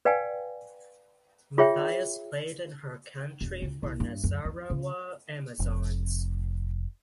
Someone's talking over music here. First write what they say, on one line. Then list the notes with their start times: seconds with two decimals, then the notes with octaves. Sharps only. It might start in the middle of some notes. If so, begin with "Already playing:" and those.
Mathias played in her country for Nasarawa Amazons.
0.05 B4 D5 F5 G5 G#5
1.58 F4 G#4 C#5 E5 G5
3.41 E1
3.62 C#2
3.83 C2
4.00 G2
4.24 F#2
4.45 F2
4.70 C#3
5.60 F1